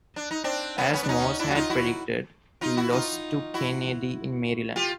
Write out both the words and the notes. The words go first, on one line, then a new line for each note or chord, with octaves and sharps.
As Morse had predicted, he lost to Kennedy in Maryland.
D4
D#4
C4 D4
B3 C#4
B3 C#4
D4
C#4 D#4
D4 E4
F#4
D#4 F4
E4 F#4
D#4 F4
E4 F#4
D#4 F4
E4 F#4
F4 G4